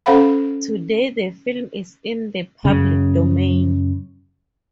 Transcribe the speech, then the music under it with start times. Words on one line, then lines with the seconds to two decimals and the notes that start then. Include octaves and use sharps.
Today the film is in the public domain.
0.06 C#4 A4 C5 F5 F#5 B5
2.65 F#2 C#3